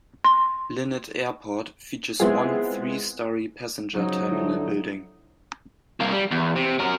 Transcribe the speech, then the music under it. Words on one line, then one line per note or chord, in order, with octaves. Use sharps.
Linate Airport features one three-story passenger terminal building.
C6
G#3 B3 C4 E4 F4 G#4
C#3 F3 F#3 C#4 D#4
D3 F3 E4
C2 A#3
G3
E2
C3
F#3 A#4